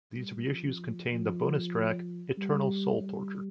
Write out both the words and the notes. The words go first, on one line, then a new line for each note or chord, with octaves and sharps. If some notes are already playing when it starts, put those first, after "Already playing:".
These reissues contains the bonus track "Eternal Soul Torture".
G3
F3
F3
G3
G3